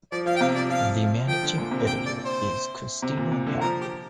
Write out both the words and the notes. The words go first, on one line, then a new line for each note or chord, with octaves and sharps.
The managing editor is Kristina Hacker.
F3 D5
F3 F5
G5
C3 F5
F3 D5
F3 F5
F3 G5
D3
A#2
C3
G5
D5
C5
C3
A#2
C3
D3
F3 A#4
G4